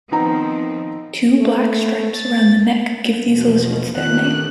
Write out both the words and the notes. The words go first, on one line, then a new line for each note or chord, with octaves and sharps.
Two black stripes around the neck give these lizards their name.
D#3 F3 B3 C4 D#4 A#5
A3
A6
E2 B2 F3
A#2 D#3 A3 G4 F#6